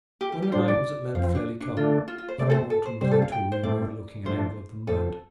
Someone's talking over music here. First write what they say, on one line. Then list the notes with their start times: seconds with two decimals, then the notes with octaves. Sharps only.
When the night was at length fairly come, Throgmorton was led to a room overlooking an angle of the moat.
0.21 G4
0.32 G4
0.42 G4
0.52 A2 G3 D4 C5
0.68 D5
1.14 F2 F3 C4 F5
1.35 D4
1.60 D4
1.77 D3 A3 D4 F4
2.08 F4
2.18 F4
2.28 C5
2.38 C3 A3 C4 D5
2.50 A4
2.54 C5
2.70 A4
2.86 C5
3.01 C3 G3 C4 C5
3.11 A4
3.22 F5
3.32 G5
3.52 C5
3.63 A2 A3 C4 D5
4.25 G2 F3 A3 D4 C5
4.87 F2 F3 C4 A4